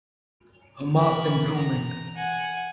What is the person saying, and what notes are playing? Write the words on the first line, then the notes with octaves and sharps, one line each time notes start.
A marked improvement.
E3 A#4 B5
A#5
F#5 G#5